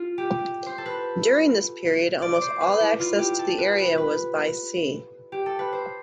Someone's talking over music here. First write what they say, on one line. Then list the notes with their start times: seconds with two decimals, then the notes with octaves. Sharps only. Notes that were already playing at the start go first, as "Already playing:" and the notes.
During this period almost all access to the area was by sea.
Already playing: F4
0.18 G4
0.66 C5
0.78 A4
0.86 B4
2.22 D5
2.41 C5
2.61 B4
2.80 E4
2.99 F4
3.19 G4
3.39 A4
3.58 B4
3.78 B4
3.98 B4
5.32 G4
5.46 A4
5.59 B4
5.72 C5